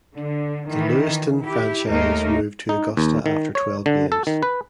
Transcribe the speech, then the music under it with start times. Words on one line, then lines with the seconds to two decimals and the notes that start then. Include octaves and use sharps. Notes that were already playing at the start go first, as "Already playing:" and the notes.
The Lewiston franchise moved to Augusta after twelve games.
0.15 D3
0.68 D#3 E3
1.42 E4 G4
1.89 D#2 A3 A#3 D#4 A#4
2.69 D#4
2.97 D#2
3.26 D#3
3.55 C#5
3.86 D3
4.12 A4
4.27 D#3
4.43 B4